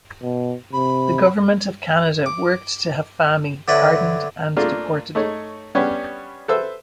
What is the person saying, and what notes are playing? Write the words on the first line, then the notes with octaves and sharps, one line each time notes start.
The Government of Canada worked to have Fahmy pardoned and deported.
B2
C3 B5
D6
D3 C4 D4 E4 B4 C#5
A3 A#3 D4 F4
A3 D#4 C#5
G3 B3 C#4 D4 G4 C#5
A4 B4 C5 E5 E6